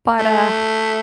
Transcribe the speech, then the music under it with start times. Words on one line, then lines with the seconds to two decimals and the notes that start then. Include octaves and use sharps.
But, uh
0.19 A3